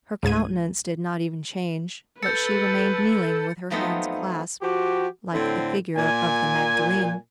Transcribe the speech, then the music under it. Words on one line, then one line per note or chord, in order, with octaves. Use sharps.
Her countenance did not even change, but she remained kneeling with her hands clasped, like the figure of the Magdalen.
C#2 G#2 G#6 D#7
A4 B4 G6 A6 C#7
F3 F#3 A3 B3 C4 D#4
F3 F#4 G4
A2 D3 C4
A#2 G#5